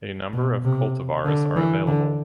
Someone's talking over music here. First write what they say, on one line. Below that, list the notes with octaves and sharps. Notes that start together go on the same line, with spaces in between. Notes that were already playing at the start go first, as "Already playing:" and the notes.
A number of cultivars are available.
B2
C3
D3
E3
D3